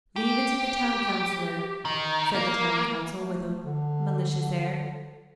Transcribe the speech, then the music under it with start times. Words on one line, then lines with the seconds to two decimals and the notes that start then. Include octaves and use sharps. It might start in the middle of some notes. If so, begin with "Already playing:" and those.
'Leave it to the Town Counsellor,' said the town council with a malicious air.
0.16 G4
1.85 D#3
2.35 A#3
3.16 A3
3.64 D3